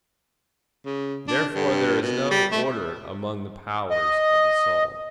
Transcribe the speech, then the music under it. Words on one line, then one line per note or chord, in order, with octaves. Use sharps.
Therefore there is no order among the powers of the soul.
C#3
D4
G2
B2
G3
A3
D#5